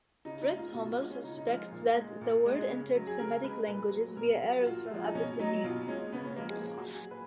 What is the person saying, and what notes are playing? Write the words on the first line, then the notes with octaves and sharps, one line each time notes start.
Fritz Hommel suspects that the word entered Semitic languages via Arabs from Abyssinia.
C#3 D#4
D#4
G#3
F4
B2 F#4
F4
G#3 F4
C#4
C#3 D#4
D#4
F3 F4
G#3
A#2
G#3
A#2
G#3
C#3
F#3
G#4
C#3 A#4
G#3 B4
A#2 B4
F#3
B2 A#4
G#4
F#3
F#4
F#4
A#2 F4
F3 G#3
D#4
B2 C#4
F#3 D#4
B2 F4
G#3 C#4
C#3 B3
C#4
F3 G#3 A#3
G#4
A#2 G#4
F#4
F#3
G#4
A#2 B4